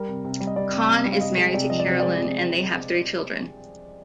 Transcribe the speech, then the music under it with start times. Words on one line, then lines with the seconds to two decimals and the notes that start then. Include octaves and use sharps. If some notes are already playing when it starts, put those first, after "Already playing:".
Conn is married to Caroline, and they have three children.
Already playing: G3 A#4
0.08 C3
0.24 C3
0.40 G3
0.47 D#5
0.56 G3 D5
0.72 C3
0.89 C3
1.05 G3
1.12 F5
1.21 C3 D#5
1.38 G#3 D#5
1.54 C3 D5
1.70 F3 D#5
1.80 D5
1.86 C3 C5
2.00 G#3 D5
2.18 C3